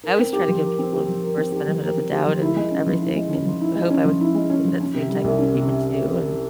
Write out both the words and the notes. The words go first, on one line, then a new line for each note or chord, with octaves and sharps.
I always try to give people, of course, the benefit of the doubt and everything, and I hope I would get that same type of treatment, too. And
A#4
C4
G4
F3
A#4
C4
G4
F3
A#4
C4
G4
F3
A#4
C4
G4
F3
E4
G#3
C#4
F3
E4
G#3
C#4
F3
E4
G#3
C#4
F3
E4
G#3
C#4
F3
C#4
C3
G3
C2
C#4
C3